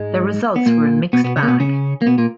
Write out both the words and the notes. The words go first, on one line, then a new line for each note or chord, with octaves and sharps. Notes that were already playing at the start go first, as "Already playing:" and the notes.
The results were a mixed bag.
Already playing: G#2 G#3
B3
A#2 A#3
B2 B3
B2 B3
C#3 C#4
A#3
B2 B3
C#3 C#4
A#3
B2 B3
A#2 A#3